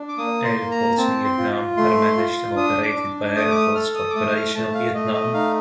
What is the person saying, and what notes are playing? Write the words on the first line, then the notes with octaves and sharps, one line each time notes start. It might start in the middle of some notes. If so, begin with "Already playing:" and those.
Airports in Vietnam are managed and operated by Airports Corporation of Vietnam.
Already playing: D4
D6
A#3 D#6
C6
A#3
A#5
C4 A5
C6
F4
A3 C6
F4
D4 D#6
D6
D4
A3 D#6
D6
D#6
A4 F6
D#6
D6
A3 D#6
F6
A3 A5
F5
A3 D#5
D#5
D#4 F5